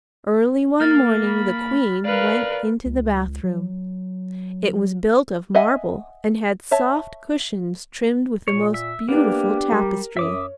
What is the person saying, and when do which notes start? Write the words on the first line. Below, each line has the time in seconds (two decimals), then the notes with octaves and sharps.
Early one morning the Queen went into the bathroom; it was built of marble, and had soft cushions trimmed with the most beautiful tapestry.
0.81 A#3 F6 A6
1.26 B5
2.05 A#4 B4 D5 F5
2.86 C#2
3.44 F#3
5.55 D#5 E5 F#5 G#5
6.71 C#5 E5 A5
8.48 A#2 C#5
8.74 E5
9.09 A#3 B3 D4 G4
9.72 G3 A#4
10.17 F#2 C#5 E5 D6 D#6